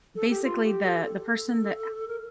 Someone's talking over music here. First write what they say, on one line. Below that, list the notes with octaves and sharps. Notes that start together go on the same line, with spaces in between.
basically, the the person that
A4
G4
F4
G4
A4
A4
A#4